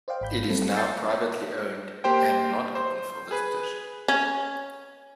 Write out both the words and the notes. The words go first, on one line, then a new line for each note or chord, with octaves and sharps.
It is now privately owned, and not open for visitors.
C5 D5 D#5 F5 G5
G#1 B5 G6
F#3 G3 A3 C4 A4
E6 G6 A6 C7 C#7
A#3 G4 C5 G5
C5
G#4 B4
C#4